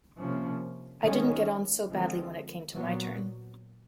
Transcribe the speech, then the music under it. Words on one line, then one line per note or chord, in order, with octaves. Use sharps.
I didn’t get on so badly when it came to my turn.
C3 F3 A#3 C#4
D#3 G#3 C#4
D3 F3 G#3 C4
A#2 F#3 B3